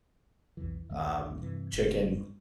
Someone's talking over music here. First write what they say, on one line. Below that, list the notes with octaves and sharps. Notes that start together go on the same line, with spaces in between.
um, chicken
B1 F2 E3
A#1 F#2 D#3 A3
G2 C3 E3
F#1